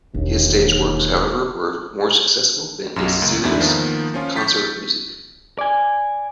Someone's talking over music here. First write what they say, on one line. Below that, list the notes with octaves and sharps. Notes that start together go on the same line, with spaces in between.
His stage works, however, were more successful than his serious concert music.
E1 D#2
B1 F#2
C#2 A#3
E2 G#2 A3 D4 E4
D#3 F3 A#3 B3
F3 C#4 F4
C#6 G6 A6 B6
D5 G#5